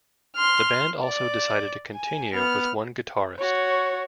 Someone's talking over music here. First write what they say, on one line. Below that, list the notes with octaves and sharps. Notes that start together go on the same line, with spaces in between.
The band also decided to continue with one guitarist.
C6 F6
D5
G#5
B3 F6
F#4 C#5